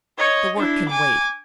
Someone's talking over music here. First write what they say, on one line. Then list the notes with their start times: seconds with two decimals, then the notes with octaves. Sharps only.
The work can wait.
0.18 C#5 D#5
0.56 D4 E4
0.88 G#5 D6